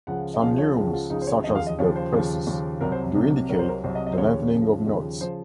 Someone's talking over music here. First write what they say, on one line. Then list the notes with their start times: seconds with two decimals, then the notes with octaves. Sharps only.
Some neumes, such as the "pressus", do indicate the lengthening of notes.
0.07 C#2 C#3 F3 F#5
0.34 D#5
0.41 C#2 C#3 F3 F5
0.58 C#5
0.76 C#2 C#3 F3
0.87 F#4
0.93 F4
1.10 C#2 C#3 F3 D#4
1.22 C5
1.27 C#5
1.44 D#2 C#3 F3 D#5
1.55 F5
1.67 D#5
1.78 D#2 C#3 F3 C#5
1.96 C5
2.13 D#2 C#3 F3
2.47 D#2 C#3 F3
2.81 C2 C3 F#3 A#4
2.92 C5
3.15 C2 C3 F#3
3.49 C2 C3 F#3 A#4
3.59 C5
3.69 A#4
3.84 C2 C3 F#3 C5
3.95 D#5
4.06 D#5
4.13 C5
4.18 D#2 C#3 F3 C#5
4.52 D#2 C#3 F3
4.86 D#2 C#3 F3
5.21 C#3 F3 C5